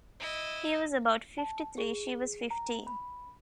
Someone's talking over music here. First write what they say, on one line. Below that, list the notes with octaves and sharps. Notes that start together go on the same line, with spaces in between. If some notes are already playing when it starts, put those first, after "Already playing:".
He was about fifty-three; she was fifteen.
E4 D#5
A5
G#4
A#5
B5